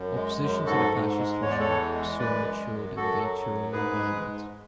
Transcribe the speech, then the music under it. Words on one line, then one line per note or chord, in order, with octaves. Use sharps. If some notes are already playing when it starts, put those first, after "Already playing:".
Opposition to the fascist regime soon matured in the Turin environment.
Already playing: F#2
G#3
F#2
G#2 F#4 A4
G#2
G#3
E2 C#5
D5
A4 C#5
E3
G#3
F#2 B4 D5
G#3
F#2
F#2 F#4 A4
F#3
F#2
G#2 G#4 B4
G#3
G#2